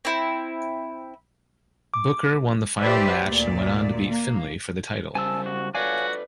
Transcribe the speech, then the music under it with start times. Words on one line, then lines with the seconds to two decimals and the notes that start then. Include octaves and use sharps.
Booker won the final match and went on to beat Finlay for the title.
0.05 C4 E4
1.94 D6
2.81 G4 B4 C5 D5 E5
3.25 D2 A#2 D5
4.08 A#3
5.15 C#3 G3 C5 G#5 A5 E6
5.46 F#4
5.75 F#4 A4 B4 C#5 D5 F5 G#5